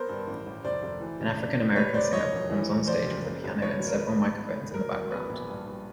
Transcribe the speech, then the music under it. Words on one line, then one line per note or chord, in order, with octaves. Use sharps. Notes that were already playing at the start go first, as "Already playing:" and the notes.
An African American singer performs on stage with a piano and several microphones in the background.
Already playing: B3 A#4 C5
G2
A1
A1
F1 C5 D5
F1
E3
F#1
D4
A2
G3 B4 C#5
F1 C5 D5
F3 C#5 D#5
E1
E3
E1
F3 C5 D5
F#1
A#3
C#2
F3 B4 C#5
G1
A#4
A#3 B4
G#2
B3
D2
F#3 A#4
E1
B3 B4
A#1
G2
G2